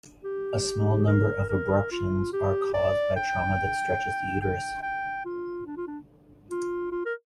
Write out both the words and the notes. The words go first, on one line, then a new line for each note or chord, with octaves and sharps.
A small number of abruptions are caused by trauma that stretches the uterus.
G4
A#4
A#4
F4
G4
D5
G5
G5
G5
F4
D4
F4
D4
F4
F4
A#4